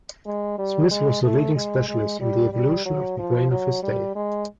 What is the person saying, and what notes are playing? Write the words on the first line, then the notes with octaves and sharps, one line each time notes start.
Smith was the leading specialist on the evolution of the brain of his day.
G#3
G3
G#3
A3
G#3
G#3
G3
G3
F#3
F3
F#3
G3
G#3